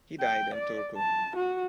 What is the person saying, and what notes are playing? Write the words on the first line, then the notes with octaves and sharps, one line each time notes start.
He died in Turku.
G5
D5
A5
F#4